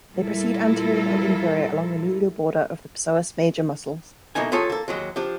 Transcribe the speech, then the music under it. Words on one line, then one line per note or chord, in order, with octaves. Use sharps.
They proceed anterior and inferior along the medial border of the psoas major muscles.
A#2 G3 E4 F4 A4 A#4
B2 A3 A#3 D#4 G#5
G2 F4 G#4 A4 C#5
A#3 A4
D#2 F#3 G#3
F3 D4 G4